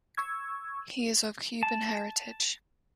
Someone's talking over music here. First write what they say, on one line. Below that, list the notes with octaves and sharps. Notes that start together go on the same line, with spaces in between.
He is of Cuban heritage.
C#6 E6 G#6
A5